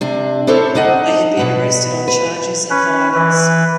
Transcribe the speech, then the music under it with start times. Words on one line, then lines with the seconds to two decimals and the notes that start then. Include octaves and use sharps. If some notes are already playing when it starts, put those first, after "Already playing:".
They had been arrested on charges of violence.
0.01 C3 D4
0.47 D4 E4 A4 C5 C#5
0.75 D4 D#4 D#5 F#5
1.37 B2 B4 F#5
2.08 B4
2.70 C#4 B4
3.14 E3 B4